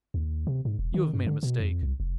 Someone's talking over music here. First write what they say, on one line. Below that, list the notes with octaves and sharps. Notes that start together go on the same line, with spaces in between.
You have made a mistake.
D#2
C3
G#2
E1
D#3
G2
D3
B2
F2
C2
F1